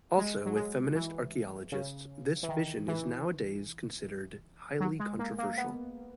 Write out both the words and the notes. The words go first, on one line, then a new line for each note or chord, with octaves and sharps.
Also with feminist archaeologists this vision is nowadays considered highly controversial.
G#3
F#3
G#3
E3
C#3
E3
D#3
E3
F#3
G#3
A#3
A#3
B3